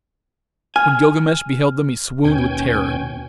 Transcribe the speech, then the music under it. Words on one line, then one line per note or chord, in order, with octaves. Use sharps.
When Gilgamesh beheld them he swooned with terror.
G#5 F6
D#2 B2 C#4 G5 G#5